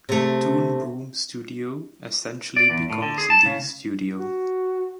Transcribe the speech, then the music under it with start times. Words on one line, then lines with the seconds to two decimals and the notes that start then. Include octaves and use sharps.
Toon Boom Studio essentially becomes the studio.
0.09 C3 A3
2.56 D5
2.70 E2
2.90 A2
3.02 D3
3.18 G#4
3.30 A5
3.46 C#3
4.15 F#4